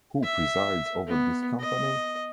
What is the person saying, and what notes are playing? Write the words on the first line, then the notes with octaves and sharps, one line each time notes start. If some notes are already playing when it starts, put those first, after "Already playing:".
Who presides over this company?
E5
B3
D#5